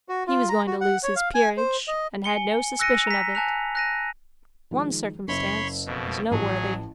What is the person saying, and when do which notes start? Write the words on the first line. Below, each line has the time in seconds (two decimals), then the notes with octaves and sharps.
He was going to lose his peerage, and had no suspicion of it. One circumstance is noteworthy.
0.09 F#4
0.27 F4
0.49 A#5
0.67 F#4
0.81 F#5
1.03 C#5
1.16 F5
1.34 G#5
1.57 C5
1.88 D#5
2.24 G#5 C#7 G7
2.80 E6 F#6 A#6 C#7 D#7
3.07 A#5 B6
3.35 G#5 A5 F#6 F7
3.75 F#6 A#6 D#7
4.71 D#3 F3 G#3
5.28 F#1 C#4 C#5 E5 B5 C6
5.86 F2 B2
6.31 A1 F3 F#3 G#4 A5